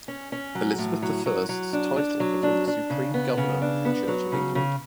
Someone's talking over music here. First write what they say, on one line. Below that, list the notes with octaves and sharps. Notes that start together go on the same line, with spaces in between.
Elizabeth the First's title became the Supreme Governor of the Church of England.
C#4
C#4
F#3
A2
F#3
F#3
F#3
D4
D4
F#3
D4
D4
C#3
B3
C#3
D4
B3
F#3
C#3
C#3